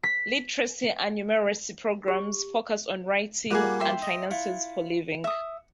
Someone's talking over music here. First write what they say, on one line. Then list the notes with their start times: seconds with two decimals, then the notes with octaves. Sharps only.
Literacy and Numeracy programs focus on writing and finances for living.
0.03 B6
2.08 G4
3.51 A#2 G3 A#3 G#4 F#5
3.80 E5 G5 C6
4.02 D#5
4.31 E4 F4 F#5
5.24 E5 D#6